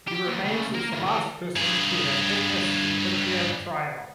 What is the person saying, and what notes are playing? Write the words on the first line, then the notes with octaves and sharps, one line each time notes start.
He remained as the last person to have witnessed the Tokyo Trial.
G4
D#2
C#3 A3
A#3 A#4
D2 G2
E3 G3
G2 G#4